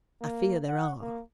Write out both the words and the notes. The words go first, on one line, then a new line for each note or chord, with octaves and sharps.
I fear there are.
A#3
F#5
A#3